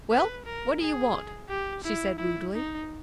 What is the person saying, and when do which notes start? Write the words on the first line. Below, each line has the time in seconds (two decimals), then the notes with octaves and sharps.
"Well, what do you want?" she said rudely.
0.11 B4
0.45 A#4
0.81 G#4
1.49 G4
1.84 E4
2.19 E4
2.53 D#4